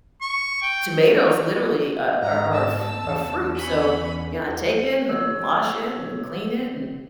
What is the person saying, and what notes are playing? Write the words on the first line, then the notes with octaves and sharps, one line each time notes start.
tomatoes literally, uh, are are a fru a fruit, so, you know, I take it and wash it and clean it and
C#6
G5
G#2 A#5
A5 E6
E2
C#4 B5
C#5 E6